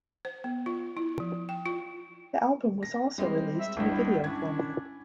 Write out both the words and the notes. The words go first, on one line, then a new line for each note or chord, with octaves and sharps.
The album was also released on in video format.
C5
B3
F4
E4
F3
G5
F4
A#6
G3 G#3 C4
E5
G1 C#2 G2 E4
C#4 D4 E4 G#6